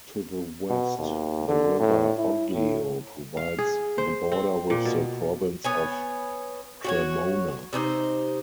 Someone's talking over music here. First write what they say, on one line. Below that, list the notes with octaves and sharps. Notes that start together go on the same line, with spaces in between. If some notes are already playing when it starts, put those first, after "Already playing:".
To the west, the River Oglio provides the border with the Province of Cremona.
B2
D#2
D3
A2
E4
A2
F5
G#4
C5
C4
A#2
B2
B3 C#5 G#5
F#4 G4 C#5
C3 D4 D#4 C5